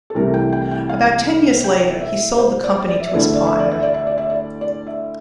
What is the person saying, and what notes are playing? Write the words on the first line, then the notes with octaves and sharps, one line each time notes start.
About ten years later, he sold the company to his partner.
A4
C2 C3 E3 A3 A#4
G5
G5
G5
F5
G5
E5
C5
D5
D5
E5
D2 D3 A3 E4 D5
E5
D5
E5
D5
E5
D5
E5
D5
E5
D5
D5
E5